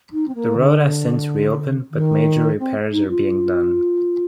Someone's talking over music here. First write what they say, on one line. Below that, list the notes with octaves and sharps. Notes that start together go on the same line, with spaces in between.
The road has since reopened but major repairs are being done.
D#4
C4
A#3
D3
D#3
C4
D#4
F4